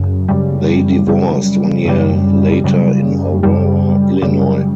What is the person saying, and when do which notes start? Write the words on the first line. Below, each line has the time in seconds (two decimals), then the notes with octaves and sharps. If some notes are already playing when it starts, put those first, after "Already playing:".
They divorced one year later in Aurora Illinois.
Already playing: F#2 C#3
0.28 F#2 C#3 G3
1.07 F#2 C#3 G3
1.85 F#2 C#3 G3
2.64 F#2 C#3 G3
3.43 F#2 C#3 G3
4.22 F#2 C#3 G3